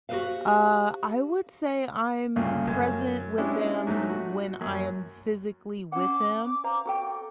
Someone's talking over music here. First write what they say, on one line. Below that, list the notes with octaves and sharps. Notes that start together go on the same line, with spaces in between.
Uh, I would say I'm present with them when I am physically with them,
F#4 G4 A4 B4 C5 F5
D2 G2 A#2 C#3
F#2
G#3 C#4 D4 E4 G4
G#2 F#3 A3
F#4
F#2
C#4 F#5 D6
C5 F5 A#5
F#4 A4 G5